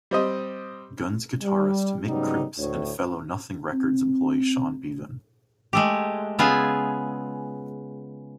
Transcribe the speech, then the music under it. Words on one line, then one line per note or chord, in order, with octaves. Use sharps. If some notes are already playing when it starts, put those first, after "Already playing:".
Guns guitarist Mick Cripps and fellow Nothing Records employee Sean Beavan.
G3 C4 D#5
G3
G#2 C#3 F#3 G3 B3 D#4
D2 A2 C#5
C4
G#3 A3 G4
C#3 B3 F4 G#4 E5 G#5